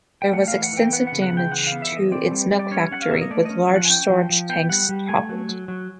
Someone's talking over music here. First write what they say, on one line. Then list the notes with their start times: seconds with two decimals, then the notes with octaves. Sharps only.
There was extensive damage to its milk factory, with large storage tanks toppled.
0.22 G5
0.33 A3 F#5
0.48 E3 F5
0.63 F#5
0.73 E3 G5
0.93 B3 F#5
1.07 F#5
1.12 C#3
1.22 F#5
1.32 C#3 G5
1.52 E3 F#5
1.67 B3 F5
1.82 E5
1.92 E3 D#5
2.12 C4 D5
2.32 G3
2.51 G3
2.59 D5
2.71 C#4 C#5
2.91 C#4 F#5
3.02 F5
3.11 A#3 E5
3.21 D#5
3.31 A3 D5
3.45 C#4 D#5
3.70 F3
3.76 F#5
3.85 G#5
3.90 C#4 G5
4.10 F3
4.30 F3
4.49 B3 G5
4.69 G3 F#5
4.89 G3
5.09 A3 G#5
5.29 F#3
5.49 F#3
5.68 F#3